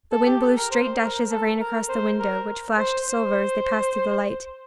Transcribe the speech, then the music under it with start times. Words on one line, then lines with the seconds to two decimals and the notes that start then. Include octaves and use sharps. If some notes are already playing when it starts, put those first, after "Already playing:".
The wind blew straight dashes of rain across the window, which flashed silver as they passed through the light.
0.12 A4
0.26 G4
0.41 A4
0.57 A#4
0.71 C5
1.01 A#4
1.30 A4
1.60 A#4
1.89 C5
2.20 A#4
2.78 C5
3.08 C5